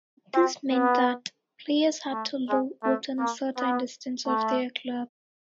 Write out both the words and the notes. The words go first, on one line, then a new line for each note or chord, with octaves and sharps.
This meant that players had to live within a certain distance of their club.
C4
B3
A3
G#3
A3
A#3
B3
A3